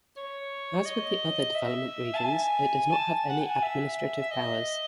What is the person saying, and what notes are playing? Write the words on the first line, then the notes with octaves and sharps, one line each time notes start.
As with the other development regions, it does not have any administrative powers.
C#5
D#5
E5
A5
G#5
A5
F#5
G#5
E5
E5
D#5